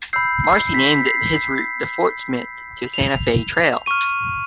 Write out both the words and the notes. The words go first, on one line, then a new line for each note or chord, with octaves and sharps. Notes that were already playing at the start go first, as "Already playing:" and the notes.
Marcy named his route the Fort Smith to Santa Fe Trail.
B5 E6 G6 C7
C7
B6
C7
F7
C#6 F6 D#7